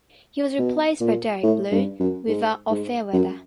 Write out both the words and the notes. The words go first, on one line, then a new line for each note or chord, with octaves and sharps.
He was replaced by Derek "Blue" Weaver of Fair Weather.
B2
A#2
A2
G2
F#2
G#2
G#2
F#2